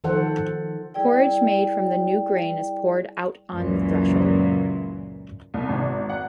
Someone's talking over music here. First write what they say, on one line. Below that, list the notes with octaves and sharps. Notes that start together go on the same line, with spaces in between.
Porridge made from the new grain is poured out on the threshold.
D#3 F3 A4 C5 F#5
G3 E4 G#4 D5 G5
C#2 F#2 A#2 E3
C2
G#1
F#5